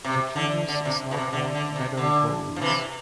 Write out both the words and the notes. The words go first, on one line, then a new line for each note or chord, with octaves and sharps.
The genus is also called "meadow voles".
C3
D3
D3
C3
B2
C3
D3
D3
C3
D3
F3
C3 E3